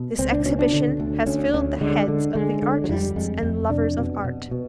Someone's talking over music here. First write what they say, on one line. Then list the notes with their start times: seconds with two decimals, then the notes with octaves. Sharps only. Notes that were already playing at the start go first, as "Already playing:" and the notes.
This Exhibition has filled the heads of the Artists and lovers of art.
Already playing: B2
0.18 C#2 C4
0.32 D4
0.45 B2 C#4
0.59 D4
0.73 D3
1.00 D2
1.26 D2 C#4
1.54 D2 C#4
1.81 D3 G#3
2.08 D3
2.35 D3 G#3
2.62 D3
2.84 F#3
2.89 F2 G3
3.16 F2 G#3
3.43 F2
3.70 C3 D4
3.97 B2
4.24 B2
4.51 B2